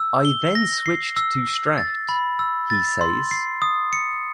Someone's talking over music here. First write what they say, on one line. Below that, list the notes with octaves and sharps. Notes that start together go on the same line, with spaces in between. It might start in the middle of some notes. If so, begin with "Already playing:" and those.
"I then switched to Strat" he says.
Already playing: E6
G7
A#6
C7
E6
E6
A6
B5
E6
A6
C6
C7
D#6
C#7